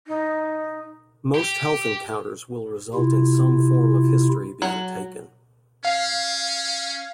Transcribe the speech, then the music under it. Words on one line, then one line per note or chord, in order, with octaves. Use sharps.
Most health encounters will result in some form of history being taken.
D#4
G4
C3 E4 F4
F#3
C#4 F5